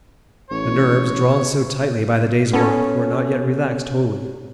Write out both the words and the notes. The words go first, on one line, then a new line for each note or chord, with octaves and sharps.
The nerves, drawn so tightly by the day's work, were not yet relaxed wholly.
A1 C#5
B3 C#4 A4